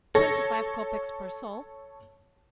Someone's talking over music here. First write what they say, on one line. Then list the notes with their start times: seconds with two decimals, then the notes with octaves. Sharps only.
"Twenty-five kopecks per soul."
0.15 A4 C#5 A#6